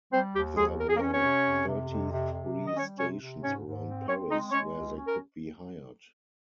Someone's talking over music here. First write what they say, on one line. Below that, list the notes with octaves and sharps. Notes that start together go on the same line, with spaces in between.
There were thirty-three stations around Paris where they could be hired.
G3 C4 C5
D#2 G4
D#2 G#3 G#4
F2 A#4
G#4
A#3 A#4
C#4
C#4 C#5
C3
F2
C3
F2
C3
C3
D#3
D#5
G3 C#4 C#5
C3 C#4 C#5
C3
G#2 C#4 C#5
G#2
C4
C4 C#4 C#5
G#3 D#4 D#5
G#3 C#4 C#5
C#2
C#4
A#4